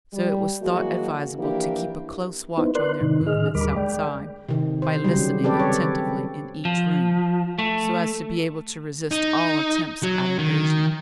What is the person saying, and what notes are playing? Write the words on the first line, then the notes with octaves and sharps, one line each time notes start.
So it was thought advisable to keep a close watch on their movements outside, by listening attentively in each room, so as to be able to resist all attempts at invasion.
G3
E3 F#3 G#3 A#3 F#4
E3 F3 A#3 D4 E4 G4
B3 D#4 E4 B4 C5
A#4 B4 D5 C6 F#6
G#2 C3 D#3 D#4
A2 D#3 G#4 D#5 F6
D#2 D3 G3 A#4 B5 D6
G#3 D5 G5
C3 D#3
C5
C#3 F#3 G3
C4 G4 A4 B4 D5
C#5
F3
A3
D#4
F#3
D#3